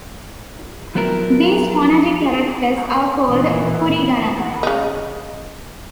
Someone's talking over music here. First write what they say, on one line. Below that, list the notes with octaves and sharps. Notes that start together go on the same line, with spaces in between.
These phonetic characters are called okurigana.
F3 F#3 B3 D4 E4 A#4
A#2 E3
C#3 D#4